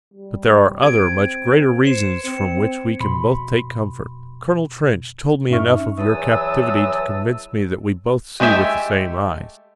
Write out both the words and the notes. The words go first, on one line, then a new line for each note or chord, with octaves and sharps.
But there are other, much greater reasons from which we can both take comfort. Colonel Trench told me enough of your captivity to convince me that we both see with the same eyes.
G3
C4 G#6 D7
C5 C7 C#7 E7
C4 C#7
F2 B2 B5 C6
G2 C#4 D#4 E5 C#6 F6
E2 E3 F#3 A5 D#6 E6
G#3 A3 G4 E5 G#5